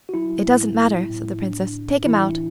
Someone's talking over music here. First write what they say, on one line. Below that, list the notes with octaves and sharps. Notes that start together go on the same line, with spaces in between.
'It doesn't matter!' said the Princess. 'Take him out!'
F#4
F#3 E4
A2
B3
A2
A2 D4
A1
E3 E4